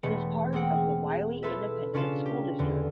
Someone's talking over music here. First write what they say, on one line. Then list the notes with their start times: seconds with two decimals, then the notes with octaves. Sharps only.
It is part of the Wylie Independent School District.
0.03 E1 E3 A3 B3 C#7
0.52 A#3 C4 G#4 F#5 G5
1.43 E4 F4 A4 B4 E5
1.94 C#3 C#4 D4 F4 F5 E7
2.25 G4
2.59 E2 D3